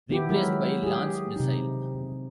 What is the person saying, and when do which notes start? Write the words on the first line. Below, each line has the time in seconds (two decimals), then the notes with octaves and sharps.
Replaced by Lance missile.
0.09 D#3 B3 E4 G4
0.29 F#3 G#3 E4 A#4
0.83 G4 G#4
1.36 C3 D#4